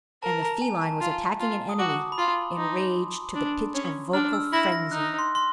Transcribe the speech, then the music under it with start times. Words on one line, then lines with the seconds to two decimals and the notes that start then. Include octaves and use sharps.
And the feline was attacking an enemy, enraged to the pitch of vocal frenzy.
0.23 A#4 A5
0.43 A#5
0.62 G#5
0.81 A5
1.01 F4
1.40 F4
1.69 D#6
1.79 F#4 D6
2.12 B5
2.18 F4 C6
2.57 D#4
3.35 D4
3.75 C#4
4.13 D4 F6
4.33 E6
4.53 E4 A#6
4.72 A#6
4.92 D#4 F#6
5.19 C6
5.35 C6